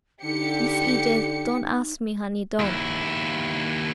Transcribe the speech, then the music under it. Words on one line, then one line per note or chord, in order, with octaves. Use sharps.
Miss Edith, don't ask me, honey--don't!
D3 D#4 G4 C#7
D#2 E4